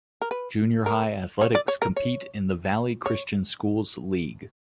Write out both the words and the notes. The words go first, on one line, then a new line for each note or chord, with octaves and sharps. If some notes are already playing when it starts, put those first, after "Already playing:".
Junior high athletics compete in the Valley Christian Schools League.
A#4
B4
A#4
C#5
D5
C#5
A#4
C#5
C#5